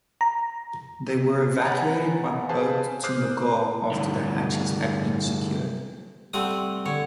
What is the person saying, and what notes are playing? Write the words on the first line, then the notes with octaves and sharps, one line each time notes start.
They were evacuated by boat to "McGaw" after the hatches had been secured.
A#5
C#5 F#5 G#5 A#5 B5 A6
G#4 B4 C5 F5 G#5 A5
C5 D6 D#6 F6 F#6 C7
D2 G2
G3 A3 C4 F#5 D#6
D3 C#5